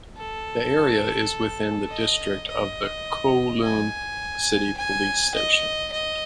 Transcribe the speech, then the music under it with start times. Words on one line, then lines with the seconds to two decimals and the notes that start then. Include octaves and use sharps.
The area is within the district of the Kowloon City police station.
0.18 A4
1.90 D#5
2.48 D#5
3.63 G#5
4.77 G#5
5.34 D#5
5.93 D#5